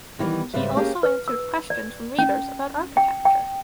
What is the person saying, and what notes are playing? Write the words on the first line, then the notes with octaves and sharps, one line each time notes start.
He also answered questions from readers about architecture.
D#3 E3 G3 B3
G#2 C#3 G3 B4 E5
A#3 C#4 G4 G#4
B4
E6
D5
C#4
G5
G5